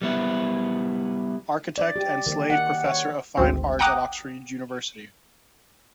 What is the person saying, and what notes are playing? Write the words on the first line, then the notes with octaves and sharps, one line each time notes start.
Architect and Slade Professor of Fine Art at Oxford University.
G3 B3 E4
D5
G4
D#3
F#5
C#5
G#1 D2 C4
F#5 G5 A#5 D6 D#6 F#6